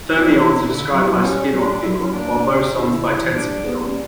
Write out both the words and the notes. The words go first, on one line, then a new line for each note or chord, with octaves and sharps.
Fermions are described by spinor field, while bosons by tensor field.
D4
E3 E4
D3
F#3
G3
F#3
B3
G3 C#4
G3
D4
D4
F#3 E4
F#3
C#4
A#3 D4
C#3
D3 E4
C#3
E3
G3 D4
A#3 B3
G3 C#4